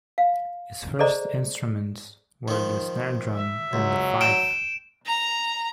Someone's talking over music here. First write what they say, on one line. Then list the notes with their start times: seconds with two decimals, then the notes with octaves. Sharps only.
His first instruments were the snare drum and the fife.
0.18 F5
0.99 G#4 A4 C5 D5 D#5 A#5
2.48 D#3 F3
3.35 E5
3.73 C#2 F#3
4.21 G5 D7 E7
5.06 A#5